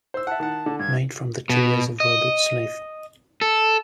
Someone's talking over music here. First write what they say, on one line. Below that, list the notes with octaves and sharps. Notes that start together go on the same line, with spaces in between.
Made from the tears of Robert Smith.
C5 E6
E5 F#5 A5
D#3 F#5
D3
G2 G#6
B2
D#5
A4